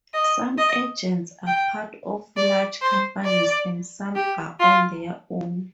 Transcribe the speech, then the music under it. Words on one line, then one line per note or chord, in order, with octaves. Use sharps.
Some agents are part of large companies, and some are on their own.
D#5
D#5
G5
D5
C5
D5
G4
F4